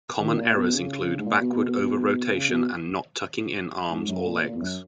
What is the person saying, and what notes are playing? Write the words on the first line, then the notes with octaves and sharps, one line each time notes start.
Common errors include backward over rotation and not tucking in arms or legs.
D#3
A#2
B2
C#3
G#2
A#2
B2
B2
B2
B2
C#3
B2
G#2
F#2
A#2
A#2
E2
F#2